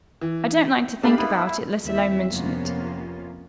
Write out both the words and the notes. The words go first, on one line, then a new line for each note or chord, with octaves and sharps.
"I don't like to think about it, let alone mention it."
E3
A3 D4 G4 G#4 D5 F5 B5
B3 D#4 E4
E5
E4
D#2 C4 E4 E5
F2 C3 A#3 B3 C#4 F4